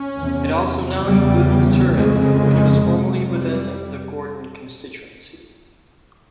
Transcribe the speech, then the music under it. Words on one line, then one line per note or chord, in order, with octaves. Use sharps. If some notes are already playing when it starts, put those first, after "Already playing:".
It also now includes Turriff, which was formerly within the Gordon constituency.
Already playing: C#4
E2 C3
E2 C#3 G3
F2 C#3 G#3
F2 C3
G3